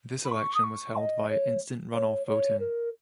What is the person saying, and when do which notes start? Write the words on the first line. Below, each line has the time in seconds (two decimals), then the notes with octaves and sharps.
This election was held via instant-runoff voting.
0.25 B5
0.31 C#6
0.55 D#6
0.64 C#6
0.96 D#5
1.30 C#5
1.95 C#5
2.27 C#5
2.60 A#4